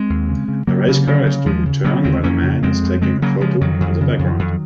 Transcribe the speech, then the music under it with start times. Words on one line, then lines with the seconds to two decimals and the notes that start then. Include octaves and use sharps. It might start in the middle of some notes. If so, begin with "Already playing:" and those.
A race car is doing a turn while a man is taking a photo in the background.
Already playing: G#3 C4
0.10 D#2
0.29 C#3
0.48 C#3
0.67 C#3 F#3 A#3
0.88 C#3
1.07 C#3
1.26 C#3
1.46 D#2 F3 G#3
1.66 C#3
1.84 C#3 F#3 A#3
2.04 D#2 G#3 C4
2.24 F2 A#3 C#4
2.43 C#3
2.63 F2 G#3 C4
2.83 F2
3.02 C#3 G#3 C4
3.22 C#3 F#3 A#3
3.41 C#3 F3 G#3
3.61 F2 D#3 F#3
3.80 F2
4.01 C#3
4.19 F2
4.39 F2